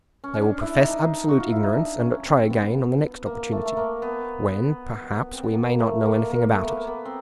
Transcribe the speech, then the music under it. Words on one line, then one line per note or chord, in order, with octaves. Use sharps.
They will profess absolute ignorance, and try again on the next opportunity, when, perhaps, we may not know anything about it.
C#4
C#4
D4
E4
D#4
D4
D#4
F#4
F4
E4
D#4
D4
C#4
C4
B3
A#3
A3
A3
A#3
B3
C4
B3
A#3
A3
A#3
A#3
A3
A#3 B3
B3
C4